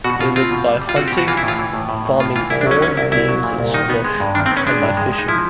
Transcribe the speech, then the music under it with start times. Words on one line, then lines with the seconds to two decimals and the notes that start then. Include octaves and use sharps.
They lived by hunting, farming corn, beans, and squash, and by fishing.
0.04 B2 F#4
0.19 B2 F4
0.36 C4 F4
0.51 B2
0.66 G3
0.82 G3
0.89 F4
0.96 C4 F#4
1.08 G4
1.12 B2
1.18 F#4
1.27 E3 F4
1.37 E4
1.43 A2 F4
1.59 E3
1.73 A2
1.89 A2
2.05 A2
2.20 A2 F4
2.36 E3 F4
2.50 C2 E4
2.61 D4
2.67 F#3 C#4
2.82 C2 C#4
2.97 C2 E4
3.12 C2 E4
3.28 F#3
3.43 A#2
3.58 C2
3.74 D#3 D#4
3.90 B3
4.05 G#3
4.20 G2
4.35 D#3 D4
4.46 C4
4.51 B3
4.57 C#4
4.67 G#3 D4
4.82 G2
4.97 G#3
5.12 G#3
5.18 D#4
5.28 F3 E4